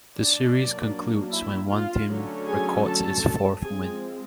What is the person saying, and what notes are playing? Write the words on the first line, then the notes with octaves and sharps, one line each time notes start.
The series concludes when one team records its fourth win.
D4 D5
F#3 A#3 D4
E4 E5
F4 F5
D3 F#3 A3 C#4
G#4 G#5
A4 A5
F3 G#3 C4 G#4 G#5